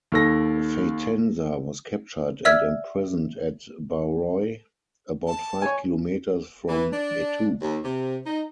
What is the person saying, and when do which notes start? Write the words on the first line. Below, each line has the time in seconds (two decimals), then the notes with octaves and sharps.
Fatansa was captured and imprisoned at Barroi, about five kilometers from Metu.
0.12 D#2 A4 A#6
2.45 D5 E5 E6 F6 G#6 B6
5.27 A5
5.62 C#5 G#5
6.69 E3
6.92 D4
7.61 D#2
7.84 C3
8.25 D#4